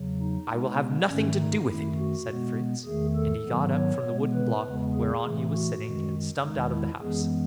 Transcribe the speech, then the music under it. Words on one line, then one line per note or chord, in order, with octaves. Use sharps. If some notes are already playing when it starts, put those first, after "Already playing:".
"I will have nothing to do with it!" said Fritz, and he got up from the wooden block whereon he was sitting and stumped out of the house.
Already playing: E2 C#3 F#3
D#4
B2 G#3 B3
G#2 D#3 A3 C#4
D#4
F#2 D#3 A3 E4
F#4
B2 G#3 B3
E2 D#3 A3 G#4
A4
G#2 D#3 F#3 B3
C#5
B2 G#3 B3
B4
E2 C#3 G#3 B3
G#4
A2 E3 A3
F#4
F#2 D#3 G#3
E2 D#3 G#3 D#4
E4
F#2 E3 G#3 B3 G#4